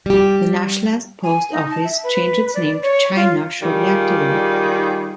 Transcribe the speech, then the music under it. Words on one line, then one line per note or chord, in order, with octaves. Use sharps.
The Nashland post office changed its name to China shortly afterward.
G3 G4
G#5
D#4
A5
E5
B4
D5
C#5
F4
D#3 G3 F4 G#4